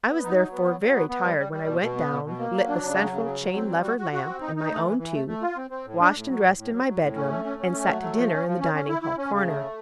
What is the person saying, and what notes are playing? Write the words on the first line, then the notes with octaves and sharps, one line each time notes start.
I was therefore very tired when I went down, lit the central chain-lever lamp and my own two, washed and dressed in my bedroom, and sat to dinner in the dining-hall corner.
B3
D#4
F#3
B3
F#3
F#3
B3
B3
G3
G3
G3
B2
B2
B3
B2
B2
A#3
F#3
D4
C#3
F#3
C#3
F#3
F#3
C4
G3
F#4
F#4
F#4
C4
D#4
D#4
A3
E3
E3
A3
A3
F4
C4
C4
A2
D4
A2
F#3
A2
A2
F#3
F#3
A2
C#4
A3
C#4
C#4
A3
F#3
A3
F3
C#4
F3
C#4
C#4
E4
E4
C#4
C#3
A3